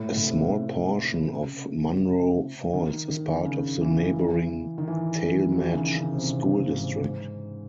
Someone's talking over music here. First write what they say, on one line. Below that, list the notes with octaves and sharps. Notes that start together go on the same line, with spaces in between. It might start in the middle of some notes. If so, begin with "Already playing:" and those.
A small portion of Munroe Falls is part of the neighboring Tallmadge school district.
Already playing: A2
A2
C3
C#3
D#3
D#3
C#3
E3
D#3
E3
F#3
E3
C#3
D#3
C#3
C3
C3
G#2
G#2